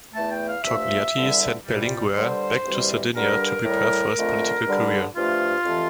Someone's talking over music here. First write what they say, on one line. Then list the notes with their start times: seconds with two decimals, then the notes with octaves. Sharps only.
Togliatti sent Berlinguer back to Sardinia to prepare for his political career.
0.14 E2 E3 A3 A5
0.31 G5
0.47 F5
0.64 G2 F3 A3 E5
1.15 E2 D3 G3
1.65 C2 A#2 G3
2.14 G2 D3 G3 C5
2.64 D2 C3 E3 G3
3.15 G2 D3 G3 A#4
3.64 A2 G3
4.15 F2 D3 A3
4.65 G2 D3 G3
5.15 G2 F3 A3 F4
5.64 F2 C3 E3 A3